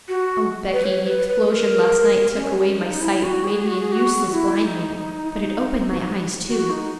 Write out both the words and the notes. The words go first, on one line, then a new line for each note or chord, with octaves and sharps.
O, Becky, the explosion last night took away my sight, made me a useless blind man, but it opened my eyes too!
F#4
B4
C#5
B4
B4
A#4
C#4
C#4
D#4
E4
F#4
G#4
F#4
G#4
F#4
E4
D#4
F#4
D#4